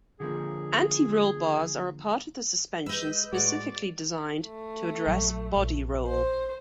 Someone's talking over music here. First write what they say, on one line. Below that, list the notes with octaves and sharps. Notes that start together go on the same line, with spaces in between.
Anti-roll bars are a part of the suspension specifically designed to address body roll.
D3 F3 A#3 G#4
G#3 B4 D#5 E6 G6
A2 G#3 F#4 D5
A3
A#1 F#3
A#1
C5